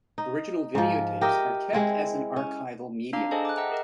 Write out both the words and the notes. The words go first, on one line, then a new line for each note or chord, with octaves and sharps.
Original video tapes are kept as an archival medium.
D#4
G#2 F3
G4 A#4 D#5 E5
G#3 C4 E4
C#4
D4 F5 A#5 D6
G#4 A4 C5 D#5 G#5 A5
D6 F#6
D#5 E5 F#5 G5 A#5
G#4 A#4 D#5